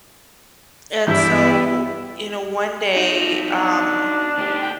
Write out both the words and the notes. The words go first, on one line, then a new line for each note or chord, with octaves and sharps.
and so, you know, one day, um,
G2 E3 B3 E4 D5 G6
D#4 F#4
D4
D2 G4
G5